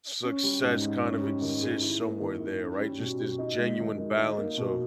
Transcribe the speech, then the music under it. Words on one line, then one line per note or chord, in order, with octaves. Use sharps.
Success kind of exists somewhere there, right, just this genuine balance of
C#4
G3
G#2
G#2
C#4
G3
D#3
G#4
E4
A#3
D#3
D#3
C#4
G3
B2
G4
D#4
G#3
D#3
D#3
D#4
A#3
B2